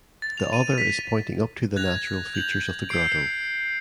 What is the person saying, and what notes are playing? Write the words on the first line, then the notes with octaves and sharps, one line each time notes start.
The other is pointing up to the natural features of the grotto.
A6
F7
D#7
B6
F#6 G#6 A#6 F7
G6 F7 F#7
E6 G6 C7 D7